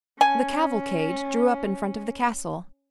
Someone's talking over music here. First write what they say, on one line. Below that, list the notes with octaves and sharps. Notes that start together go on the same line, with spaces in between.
The cavalcade drew up in front of the castle.
C#4 G#5